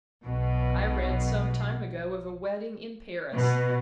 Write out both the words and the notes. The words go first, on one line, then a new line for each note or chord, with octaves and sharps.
I read some time ago of a wedding in Paris.
B1 B2
B2 B4